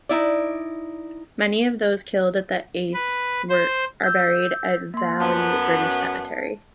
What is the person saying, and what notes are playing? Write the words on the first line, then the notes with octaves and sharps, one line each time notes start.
Many of those killed at the Aisne are buried at Vailly British Cemetery.
D#4 E4 D5
B4
C5
E6 G6
A#3 C6
F#2 B3 A5